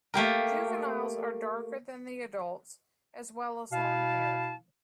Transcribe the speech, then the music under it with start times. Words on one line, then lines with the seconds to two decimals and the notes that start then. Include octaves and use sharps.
Juveniles are darker than the adults as well as long-haired.
0.14 A3 A#3 G4 A#4
3.72 B2 E4 F5 A5